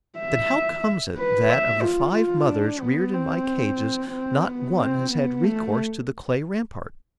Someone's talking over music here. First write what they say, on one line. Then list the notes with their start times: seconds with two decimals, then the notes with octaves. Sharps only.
Then how comes it that, of the five mothers reared in my cages, not one has had recourse to the clay rampart?
0.19 E5
1.17 B4
1.50 E5
1.83 F4
2.15 F4
2.48 D4
2.81 B3
3.13 C4
4.11 C4
4.44 B3
4.77 C4
5.10 B3
5.43 A3